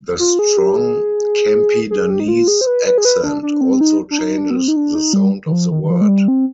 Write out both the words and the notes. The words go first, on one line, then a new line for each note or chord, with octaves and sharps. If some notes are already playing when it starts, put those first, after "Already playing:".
The strong Campidanese accent also changes the sound of the word.
F4
G#4
G4
G#4
G#4
G4
D#4
F4
G#4
C5
B4
B4
G#4
B4
D4
D4
C4
D#4
D4
D#4
D4
B3
C4
D#4
D4
D#4
G3
D#3
F3
D#3
D#3
F3
G#3
G3
C4